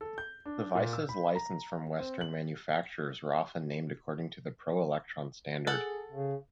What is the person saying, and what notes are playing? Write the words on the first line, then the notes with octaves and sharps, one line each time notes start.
Devices licensed from Western manufacturers were often named according to the Pro Electron standard.
A4
G6
D4
A#2
E6
B5
A#5
C4
F#7
G#4 A4 F#5
C#3